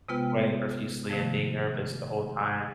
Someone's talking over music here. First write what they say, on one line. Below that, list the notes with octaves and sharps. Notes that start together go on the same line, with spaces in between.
sweating profusely and being nervous the whole time,
C3 G#3 B3 F4 B4 G5
C3 D#3 F3 A3